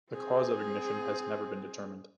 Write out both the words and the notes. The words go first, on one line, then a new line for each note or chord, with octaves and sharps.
The cause of ignition has never been determined.
C4 G#4